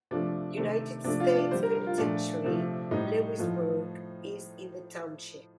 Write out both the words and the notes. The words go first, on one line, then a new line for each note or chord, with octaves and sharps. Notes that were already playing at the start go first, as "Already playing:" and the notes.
United States Penitentiary, Lewisburg is in the township.
C3 F3 A3 D4
C3 D#3 A3
C3 F3 A3 D4
F4
D4
D3 G3 C5
A#4
A#4
F4
A#2 F3 A3 D4
C3 F3 A3
A2 G3 D#4
A2 F3 A3